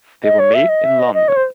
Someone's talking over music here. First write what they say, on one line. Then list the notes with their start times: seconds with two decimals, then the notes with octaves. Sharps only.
They were made in London.
0.24 D#5
0.39 C#5
0.54 E5
0.69 D#5
0.84 E5
0.99 D#5
1.14 D#5
1.28 C#5
1.36 C5